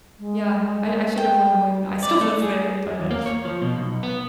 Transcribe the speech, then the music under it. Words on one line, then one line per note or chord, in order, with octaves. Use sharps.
Yeah. I I should have went when I still lived there, but
G#3
G5
D5
A3
G#4
E2
A#3
C#5
F3
B2
B1
B3